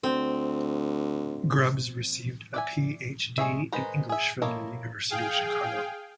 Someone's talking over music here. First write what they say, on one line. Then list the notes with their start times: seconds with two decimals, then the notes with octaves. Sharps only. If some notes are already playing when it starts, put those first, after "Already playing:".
Grubbs received a Ph.D. in English from the University of Chicago.
0.03 D2 C4
2.54 D5 E5 G#5
3.38 G#3 G#4 C#5 E5
3.72 D#3 G#3 B4 C5 A#5
4.09 G#4 E5
4.42 A#3 E4 A4 C#5 D#5
5.10 G#4 F5 G5